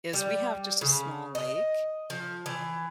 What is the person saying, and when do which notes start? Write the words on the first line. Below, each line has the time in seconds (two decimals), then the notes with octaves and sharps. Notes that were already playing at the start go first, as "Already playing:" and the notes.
is we have just a small lake,
0.13 G3
0.81 C#3
1.35 D#5
2.10 F3
2.46 E3